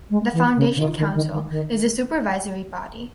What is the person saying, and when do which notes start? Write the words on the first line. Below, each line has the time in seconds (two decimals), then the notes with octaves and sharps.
The Foundation Council is the supervisory body.
0.10 G#3
0.33 E3
0.56 C#3
0.76 C#3
0.80 D#3
0.98 D#3
1.15 D#3
1.32 D#3
1.50 D#3